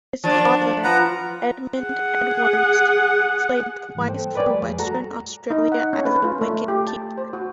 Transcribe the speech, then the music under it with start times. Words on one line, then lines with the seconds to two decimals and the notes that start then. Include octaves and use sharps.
His father, Edmund Edwards, played twice for Western Australia as a wicket-keeper.
0.24 F3 A#3 D4 A5
0.84 F3 B4 F#5 A#5
1.80 G#4 F#5
3.95 G#2 E3 G3 A#3
4.08 A4 C5 G5
4.35 A#4 B4 C#5 D5 G5 G#5
4.47 F3 G3 A3
4.62 F2 G#4
4.79 F#4 A4 A#5
5.50 D#4
5.72 F#5
5.93 C#4
6.05 B4
6.24 F4
6.41 A3
6.68 G4
6.87 A5
7.18 C5
7.33 F#4